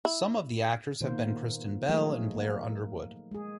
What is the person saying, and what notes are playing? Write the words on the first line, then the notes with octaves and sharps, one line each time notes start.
Some of the actors have been Kristen Bell and Blair Underwood.
E4
A#2 D#3 A#3 B3 C5
F3 F#3 A3 A#3 D#4 G#4
A#3
G#3 G#4